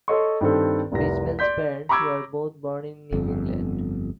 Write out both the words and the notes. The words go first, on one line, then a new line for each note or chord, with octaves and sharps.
Bridgman's parents were both born in New England.
A4 C#5 D#5 C6 C#6
G2 D#3 C4 A4
F1 C2 A#6
D5 C6 G6 B6
A#5 B5 C#6 D6 E6 G#6
G1 F2